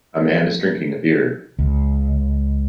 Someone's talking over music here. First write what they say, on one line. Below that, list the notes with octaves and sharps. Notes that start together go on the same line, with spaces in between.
A man is drinking a beer.
C#2